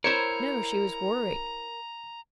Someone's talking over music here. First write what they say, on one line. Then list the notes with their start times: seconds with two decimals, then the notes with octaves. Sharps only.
"No--she was worried."
0.04 E4 A#4 C5 C#5 A#5 C#7